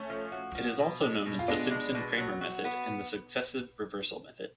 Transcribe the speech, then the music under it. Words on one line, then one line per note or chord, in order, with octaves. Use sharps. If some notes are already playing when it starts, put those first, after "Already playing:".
It is also known as the Simpson-Kramer method, and the successive reversal method.
Already playing: A3 C#4
F3
F#4
F3
B2
G#3
B2
F4
G#3 B3 D4
G#3
B2
F#3
F#4
B3